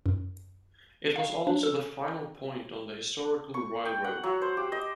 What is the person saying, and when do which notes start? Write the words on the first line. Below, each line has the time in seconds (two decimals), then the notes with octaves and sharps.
It was also the final point on the historical Royal Road.
0.06 F#2
1.16 F5
1.47 D4
1.63 A4
3.54 C#6
3.85 G5
4.04 F#5
4.24 F#3
4.41 C5
4.57 G4
4.72 D#5